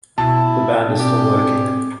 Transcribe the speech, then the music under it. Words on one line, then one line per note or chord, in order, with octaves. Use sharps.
The band is still working.
B2 E4 A5
C4 D4 G4 G#4